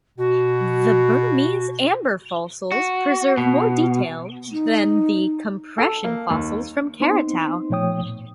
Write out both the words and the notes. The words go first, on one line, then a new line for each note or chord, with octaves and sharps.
The Burmese amber fossils preserve more detail than the compression fossils from Karatau.
B2 F#4
F#4
B2
D#4
A4
A#3
D#2
B3 C4 D#4 C5 C6
A#2 F3 A3 C#5 G5 D#6
A2